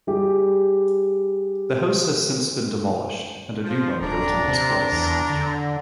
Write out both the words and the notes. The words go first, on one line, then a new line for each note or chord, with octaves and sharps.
The house has since been demolished, and a new one built in its place.
G3 G4 G#4
F3
D#1 D4 A#5
C3
E2
D3